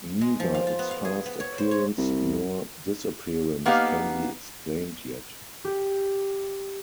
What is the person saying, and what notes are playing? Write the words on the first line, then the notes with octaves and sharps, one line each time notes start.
Neither its fast appearance nor disappearance can be explained yet.
G#3
F3
F5
F4
B3
F5
G#4
B3
C#5
C5
C#5
C2
A#3 B3 D#4 G4 F5
G4